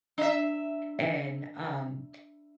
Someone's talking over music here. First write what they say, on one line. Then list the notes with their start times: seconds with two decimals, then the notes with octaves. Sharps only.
and, um,
0.18 D4 E5